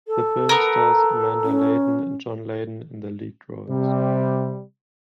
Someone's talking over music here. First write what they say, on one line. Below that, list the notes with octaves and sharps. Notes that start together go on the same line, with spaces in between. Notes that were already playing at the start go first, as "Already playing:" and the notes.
The film stars Amanda Leyden and John Leyden in the lead roles.
A4
B3 A#4
C#4
C3 G3